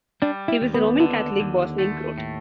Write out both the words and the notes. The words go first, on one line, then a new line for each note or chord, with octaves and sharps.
He was a Roman Catholic Bosnian Croat.
G3 D4
E4
D#2
B3
D3
D#2
A3
A2